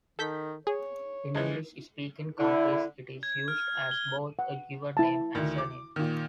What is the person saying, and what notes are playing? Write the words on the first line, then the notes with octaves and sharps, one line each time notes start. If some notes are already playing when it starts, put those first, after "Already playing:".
In English-speaking countries it is used as both a given name and surname.
D#3 A4 G6 B6
G#4 C#5
E3 F3 G#3
D3 E4
G#6
F6
G7
F#5
E4 A5
D2 D#3
D6
A#2 D#3